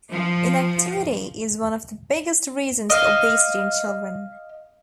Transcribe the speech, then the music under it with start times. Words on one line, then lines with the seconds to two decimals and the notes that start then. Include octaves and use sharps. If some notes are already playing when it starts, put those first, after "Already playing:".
Inactivity is one of the biggest reasons for obesity in children.
0.11 F3
2.90 D#5 F5